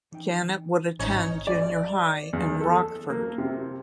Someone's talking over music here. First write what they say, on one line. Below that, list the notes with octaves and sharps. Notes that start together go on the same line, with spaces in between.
Janet would attend Junior High in Rockford.
E3 D#4 G5
G#1 C#4 D#4 E4 C#5
D5
E2
A4
A#3
C3